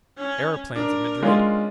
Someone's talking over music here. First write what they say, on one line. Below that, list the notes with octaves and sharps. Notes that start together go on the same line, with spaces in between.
Aeroplanes at Madrid!
C#4 C#5
D4 A#4
G#3 C#4 F4